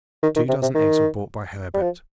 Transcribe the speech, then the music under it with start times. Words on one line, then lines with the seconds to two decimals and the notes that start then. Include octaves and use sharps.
Two dozen eggs were brought by Herbert.
0.23 D#3
0.36 D#3
0.49 C3
0.62 C3
0.75 D#3
1.74 G3
1.81 F3